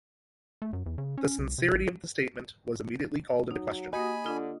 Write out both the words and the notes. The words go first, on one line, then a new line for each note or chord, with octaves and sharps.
The sincerity of the statement was immediately called into question.
A3
F#2
E2
C#3
C#4
C2
C3
A1
F#3 D#4
A#3 F#4 G4 D#5 G#5 B5
D3 D4 F4 D#6